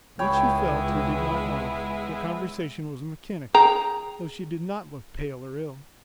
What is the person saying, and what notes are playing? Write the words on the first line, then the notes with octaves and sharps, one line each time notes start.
What she felt he did not know; their conversation was mechanical, though she did not look pale or ill.
C#2 G#3 B3 E4 C#5 G5 B5
G#4 G5 A#5